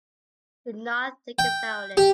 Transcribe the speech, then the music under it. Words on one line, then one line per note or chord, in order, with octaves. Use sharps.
Do not think about it.
G5
G4